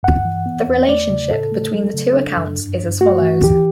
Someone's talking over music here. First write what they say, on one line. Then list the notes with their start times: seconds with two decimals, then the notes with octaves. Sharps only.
The relationship between the two accounts is as follows.
0.03 G2 F#5
0.25 E3
0.46 B3
0.68 E2
0.88 A3 D5
1.09 C#3
1.31 A2 A4
1.52 A3
1.73 F#3
1.94 C#3
2.15 D4
2.37 F#2
2.58 G2
2.79 G2
3.01 A3 F#4
3.22 E3
3.43 E3 G4